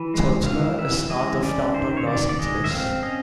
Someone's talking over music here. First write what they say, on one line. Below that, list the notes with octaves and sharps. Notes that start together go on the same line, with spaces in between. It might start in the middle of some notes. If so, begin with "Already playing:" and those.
Chowchila is north of Downtown Los Angeles.
Already playing: E3
G#3
E3 F5
E3 E5
G#3 D#5
C#4 D5
D#3 C5
C#5
D#3 D5
D5
G#3 D#5
E5
C4 F5
C#4 D#5